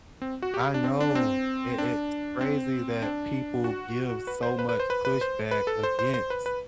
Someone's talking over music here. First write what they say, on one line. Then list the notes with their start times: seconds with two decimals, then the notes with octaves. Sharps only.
I know i it's crazy that people give so much pushback against,
0.22 C4
0.42 F#4
0.54 G4
0.74 D4
0.84 C4
1.00 D4
1.15 C4
1.78 D4
2.41 C4
3.02 D4
3.64 F#4
4.27 B4
4.43 C5
4.59 B4
4.69 B4
4.80 C5
4.90 B4
5.05 B4
5.21 C5
5.51 B4
5.67 A4
5.83 C5
5.99 C5
6.14 C5
6.30 B4
6.46 B4